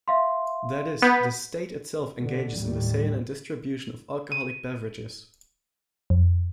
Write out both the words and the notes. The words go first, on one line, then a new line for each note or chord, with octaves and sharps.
That is, the state itself engages in the sale and distribution of alcoholic beverages.
E5 F5 C6
B3 G6 B6
B2 D3
D#2 A2 G3
D#7
F2